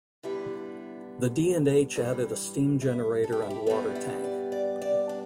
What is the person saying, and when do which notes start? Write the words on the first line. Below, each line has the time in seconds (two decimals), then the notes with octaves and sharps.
The D and H added a steam generator and water tank.
0.23 G2 D3 G3 B3 E4
1.96 G2 E3 G3
2.81 E4
3.24 A4
3.32 G4
3.42 E4
3.50 G4
3.66 G2 G3 B3 E4
3.95 E4
4.24 D5
4.52 D5
4.82 D5
5.09 D4